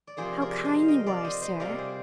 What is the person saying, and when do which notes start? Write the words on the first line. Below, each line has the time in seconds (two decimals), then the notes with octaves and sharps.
"How kind you are, sir!"
0.07 D5
0.17 C3 F3 A#3 G#4 C5
0.41 A#4 D5
0.64 C5 D#5
0.80 F5
0.88 D#5 G5
1.06 D5 F5
1.24 C5 D#5
1.42 C5 D#5
1.60 C3 G3 A#3 D5 F5
1.78 G#4 C5